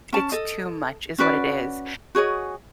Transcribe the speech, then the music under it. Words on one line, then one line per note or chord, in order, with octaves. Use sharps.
it's too much is what it is.
C#4 A5
A4 D#5
C#4 F#4 B4 D5
F#4 G#4 C#5 D#5